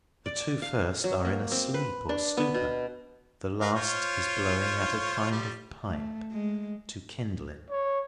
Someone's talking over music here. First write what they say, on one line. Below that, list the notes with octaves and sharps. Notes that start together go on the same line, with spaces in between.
The two first are in a sleep or stupor; the last is blowing at a kind of pipe, to kindle it.
D5
F5
F#3
A#3
C4
B4
D4
B3
B2
A#4 B4 F5
F4 C5 C#5
F3 G3
A3
G#3
C#5